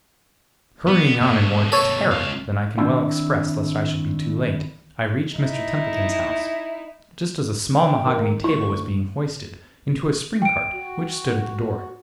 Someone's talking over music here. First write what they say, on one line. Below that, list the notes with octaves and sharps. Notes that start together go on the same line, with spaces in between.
Hurrying on in more terror than I can well express lest I should be too late, I reached Mr Templeton's house just as a small mahogany table was being hoisted into a spring-cart which stood at the door.
B3
B2 A3
A4 C#5
C#2 F5
D#3 A#3 C4 D4 E4
D#4 E4
G5
D#3 A#3
D2 E4 C#6
G5 D7
F#4